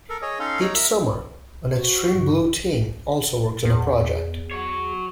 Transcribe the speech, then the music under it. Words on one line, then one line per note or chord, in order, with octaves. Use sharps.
Each summer an Extreme Blue team also works on a project.
A4 A#4
G#4 C#5 D#5
C#4 D#4 A4 F5 C6
D#4 C#5 A#5
A#4 E5 E6
F#4 C5
G2 C#3
E2
F#3 C#5